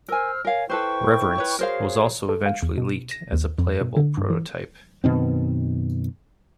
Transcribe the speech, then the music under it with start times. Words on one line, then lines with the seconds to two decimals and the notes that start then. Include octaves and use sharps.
"Reverence" was also eventually leaked as a playable prototype.
0.08 A#4 C5 G#5 E6 F6
0.45 A#4 C#5 F5 G#5
0.69 E4 A4 B4 C5 G5 C#6
1.38 B4 C#5
1.59 F#4 G#4 A#4 C5 C#5 F5
2.29 A4
2.46 F5
2.62 E2
2.77 B2
3.11 A#6
3.33 D#2
3.58 F2
3.81 B2
3.97 D3
4.17 G2
4.30 E3
5.04 F#2 B2 D#3 C4